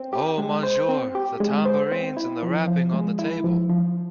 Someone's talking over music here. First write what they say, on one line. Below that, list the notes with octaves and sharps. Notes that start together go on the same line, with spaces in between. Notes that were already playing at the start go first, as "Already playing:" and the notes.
Oh, monsieur, the tambourines and the rapping on the table!
Already playing: C4
G4
G#3
C5
C4
G4
G#3
C5
C4
E4
F3
F3
G#3
E4
F3
F3